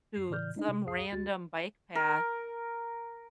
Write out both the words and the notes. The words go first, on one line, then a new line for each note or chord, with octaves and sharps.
to some random bike path,
F#2 C7
A2 C#3 E3 D5 F6 G6
G#1 G#3 D4 D#4 D#5
C3
C#2 F#2 G#4 F5 D#6 C7
D2 F#4 A6
A#4